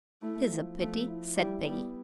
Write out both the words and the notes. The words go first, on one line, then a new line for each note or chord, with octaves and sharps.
"It is a pity," said Peggy.
A3 E4
F3
F3 A3
E4
G3 E4
G3 B3